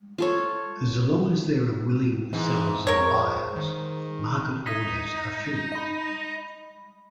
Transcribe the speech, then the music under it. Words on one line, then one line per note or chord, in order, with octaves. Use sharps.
As long as there are willing sellers and buyers, market orders are filled.
F4 A4 C#5
G#2 E3
F2 A#4 C#5
D#3
D#4 D#6 G#6 B6
D#5 B5